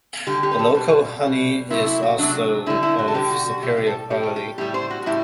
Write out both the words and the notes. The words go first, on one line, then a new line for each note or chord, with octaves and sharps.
The local honey is also of superior quality.
D3 G3 G4
G4
B4
A4
B2 G3
B2 G3
C3 F#3 A3 E4
E4
F#4
C3 F#3 A3 D4
D3 G3 E4
E4
F#4
A4
D3 G3 G4
F#4
F#4
A2 G3 G4
G4
A4
A2 G3 G4
A4
G4
A2 G3 G4
C5
F#4
F#4
A2 G3 E4